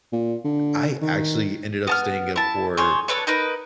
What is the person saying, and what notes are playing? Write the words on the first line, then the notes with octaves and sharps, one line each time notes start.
I actually ended up staying up for
A#2
D3
D#3
B3 A5 F6
E4 A5
G#4 C5 C#5
D4 A4 B4 C#5
D#4 A#4 B4